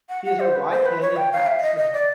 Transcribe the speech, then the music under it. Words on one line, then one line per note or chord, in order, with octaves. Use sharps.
He is a right-handed batsman.
F#5
F#5
C5
B4
C5
B4
C#5
G5
F5
E5
E5
D#5
D#5
D5